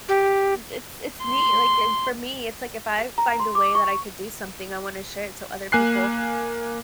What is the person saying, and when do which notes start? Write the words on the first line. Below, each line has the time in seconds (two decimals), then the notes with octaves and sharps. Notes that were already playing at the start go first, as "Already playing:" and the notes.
mm, it's it's neat, like, and, for me, it's like if I find a way that I could do something, I wanna share it so other people
0.09 G4
1.25 C6
3.18 A#5
3.40 C6
3.55 D6
3.75 C#6
5.72 A#3 G#5 F#6 C7